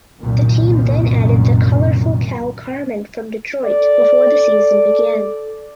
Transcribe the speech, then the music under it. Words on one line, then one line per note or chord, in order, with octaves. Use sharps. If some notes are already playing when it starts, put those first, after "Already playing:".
The team then added the colorful Cal Carmen from Detroit before the season began.
C2 F#2 A#2 D#3
A4 D5